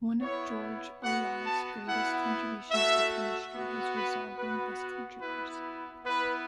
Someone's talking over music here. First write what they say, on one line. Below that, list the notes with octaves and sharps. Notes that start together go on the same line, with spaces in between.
One of George Olah's greatest contributions to chemistry was resolving this controversy.
B3 E4 C#5
B3 F#4 F#5
A5
B3 E4 F#5
A3 F#4 E5
B3 F#4
B4
B3 F#4 B4
B3 E4 B4
B3 E4 B4